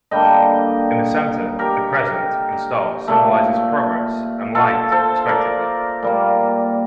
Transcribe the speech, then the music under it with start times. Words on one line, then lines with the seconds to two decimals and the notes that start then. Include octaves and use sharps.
In the centre, the crescent and star symbolizes progress and light respectively.
0.11 D3 G3 A#3 D#5 G5
1.59 G4 A#4
3.08 A#2 A3
4.55 F4 A4
4.92 A4 C5
5.29 A#4 D5
6.03 A#2 G3 A#3